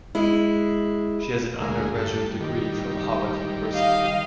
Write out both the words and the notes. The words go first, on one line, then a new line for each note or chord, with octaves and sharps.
She has an undergraduate degree from Harvard University.
G#3 E4
D2 G#3 A#3
G2 A4
D#3 G3
D#5 F5